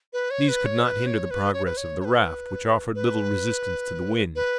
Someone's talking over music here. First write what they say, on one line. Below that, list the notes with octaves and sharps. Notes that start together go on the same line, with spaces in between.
These could not hinder the progress of the raft, which offered little resistance to the wind.
B4
C#5
B4
C#5
B4
C#5
B4
C#5
B4
C#5
C#5
B4
B4
B4